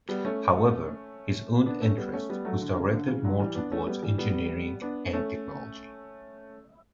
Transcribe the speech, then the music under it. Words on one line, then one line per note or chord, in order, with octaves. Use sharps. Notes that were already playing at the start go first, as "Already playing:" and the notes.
However, his own interest was directed more towards engineering and technology.
G3 B3
A3 C#4
B3 D4
A3 C#4
G3 B3
A3 C#4
G3 B3
F#3 A3
D3
C#3
D3
C#3 E3
D3 F#3
E3 G3
B3 D4
A3 C#4
G3 B3
E3 G3
G3 B3
B3 D4
A3 C#4